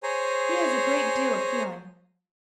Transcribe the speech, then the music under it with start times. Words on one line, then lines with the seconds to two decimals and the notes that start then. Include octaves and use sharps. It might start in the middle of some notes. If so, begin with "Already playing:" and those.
He has a great deal of feeling.
0.03 G#4 C5 C#5 G#5 A#5